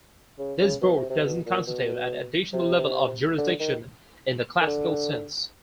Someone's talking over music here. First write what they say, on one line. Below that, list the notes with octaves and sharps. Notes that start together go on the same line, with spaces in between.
This board does not constitute an additional level of jurisdiction in the classical sense.
C#3
C#3
B2
C3
C3
B2
A#2
B2
C3
D3
D#3
D#3
D3